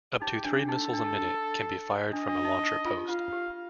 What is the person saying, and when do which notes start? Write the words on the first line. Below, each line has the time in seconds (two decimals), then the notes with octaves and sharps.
Up to three missiles a minute can be fired from a launcher post.
0.21 D#4 G4
0.45 D4
0.61 D4
0.69 D#4 A4
0.93 D4
2.13 D4 D#5
2.29 D4
2.45 D#4
2.73 D#4
2.85 F4
2.97 G4
3.09 F4 F5
3.33 G4